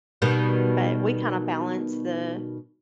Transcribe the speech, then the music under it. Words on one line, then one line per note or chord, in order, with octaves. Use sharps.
but we kinda balance the
B2 D#3 G3